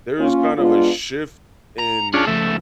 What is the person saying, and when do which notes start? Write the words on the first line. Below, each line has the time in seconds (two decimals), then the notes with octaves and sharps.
there is kind of a shift in
0.20 A#3 C#4 F4
0.58 G#3 B3 D4 F4
1.79 A#5
2.14 C#4 D4 F4 G#4 A4
2.27 C#3 F3 A3 E5